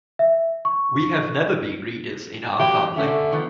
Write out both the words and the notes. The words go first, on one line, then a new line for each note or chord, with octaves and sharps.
We have never been readers in our family.
E5
C#6
E3 F#3 A#3 G4
D3 A3 C#4 E5
D#3 F3 B3